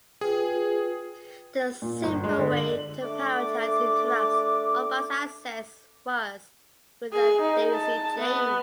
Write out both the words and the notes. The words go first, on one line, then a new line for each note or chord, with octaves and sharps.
The simple way to prioritize interrupts or bus access was with a daisy chain.
F4 G#4 B4 G5
A#2
G1
G#3
D3
F#7
A3 D4 D5 D6
G#4
D#4
A5
B3